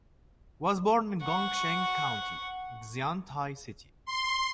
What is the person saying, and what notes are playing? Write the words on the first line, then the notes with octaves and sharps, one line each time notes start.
Was born in Gongcheng County, Xiantai City.
F#5 C#6
C6